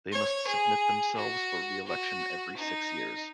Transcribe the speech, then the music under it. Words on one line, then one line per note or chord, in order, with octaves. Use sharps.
They must submit themselves for re-election every six years.
C#5
G#4
F#4
F#4
D#4